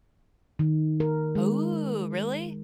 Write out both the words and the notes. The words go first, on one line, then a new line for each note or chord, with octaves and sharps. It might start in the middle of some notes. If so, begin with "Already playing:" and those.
Ooh, really?
D#3
A#4
G#3